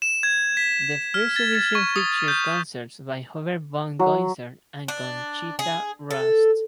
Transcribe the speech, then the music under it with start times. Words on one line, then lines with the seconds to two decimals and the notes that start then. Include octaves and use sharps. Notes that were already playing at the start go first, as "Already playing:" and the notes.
The first edition featured concerts by Hubert von Goisern and Conchita Wurst.
0.02 E7
0.23 G#6
0.57 B6
1.14 F6
1.36 A6
1.55 A6
1.75 C#6
1.96 D#6
2.28 G6
3.99 F#3
4.88 D4
5.59 G#4
6.11 A4